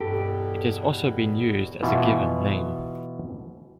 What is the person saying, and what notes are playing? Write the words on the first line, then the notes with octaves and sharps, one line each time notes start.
It has also been used as a given name.
E2 G2 B2 G4 A4
B2 E3 F4